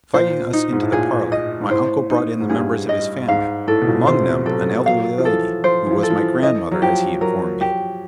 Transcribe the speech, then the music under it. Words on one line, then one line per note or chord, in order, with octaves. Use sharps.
Inviting us into the parlor, my uncle brought in the members of his family, among them an elderly lady, who was my grandmother, as he informed me.
A#2 C5
D#4
G#2
A2
A#2 G#4
D#5
G#2
A2 C5
D#4
G#2
G2 G#4
D#5
G#2 F5
A2 A4
B2
A#2
C3 C5
F#3 A4
F#3 F5
F3
E3 A4
F3 C5
E3
F3
A4
F3
E3
E3 D#5
F#3
F3 G4
F#3 A#4
G4